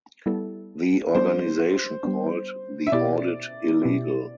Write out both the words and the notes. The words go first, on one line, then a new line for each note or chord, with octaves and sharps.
The organisation called the audit illegal.
G3 B3 E4 A4
G3 B3 D4 C5
G3 B3 D4
E5
B2 B3 E4 G4 D5
B2 B3 E4 G4